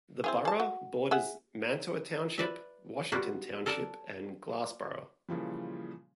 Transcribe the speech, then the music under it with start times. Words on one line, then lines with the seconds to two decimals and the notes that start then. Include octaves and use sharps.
The borough borders Mantua Township, Washington Township and Glassboro.
0.24 C4 E4 G#4
0.45 G#4 A5
0.60 F#4
1.11 G#4 E5 F#5
2.38 B4 D5 E5
3.12 G3 A#3 B3 F4 F#4
3.66 A4 A#4 D5 F#5 A5
5.29 A#2 C#3 E3 F3 G3